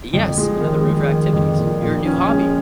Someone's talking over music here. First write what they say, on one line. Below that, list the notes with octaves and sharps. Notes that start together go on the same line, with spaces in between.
Yes. Another room for activities, your new hobby.
F2
G#3
D#3
G#3
D#3
F2
A#2
A#2
C#4
G#3